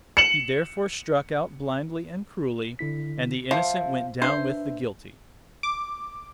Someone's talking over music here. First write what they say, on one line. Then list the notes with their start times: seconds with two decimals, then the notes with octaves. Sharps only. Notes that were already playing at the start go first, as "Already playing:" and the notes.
He therefore struck out blindly and cruelly, and the innocent went down with the guilty.
0.17 C#7 E7 F#7
2.79 D3 E4 B6
3.51 F3 E5
4.22 D4 B4 C5 E5
5.63 D6